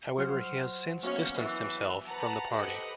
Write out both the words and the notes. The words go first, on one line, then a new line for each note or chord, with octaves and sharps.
However, he has since distanced himself from the party.
F#3 C5 F6
A#3 B3 C#4 F#4 E5
E3 B4
B4 F#5 A5 A#5
G4 A4 B4 C5 D#5 F#5